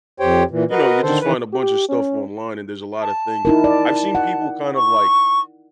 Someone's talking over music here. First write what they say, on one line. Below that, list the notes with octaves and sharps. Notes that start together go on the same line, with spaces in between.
you know, you just find a bunch of stuff online and there's a lotta things I've seen people kind of, like
F2 G4 C5 C#5 G5
A#2 E3
F#4 A#4 B4 D#5
D3 D#3 A4 C5
D#3 E3 B4
G4
C#4
A5
D#4 E4 A#4
D5
F#5
C#6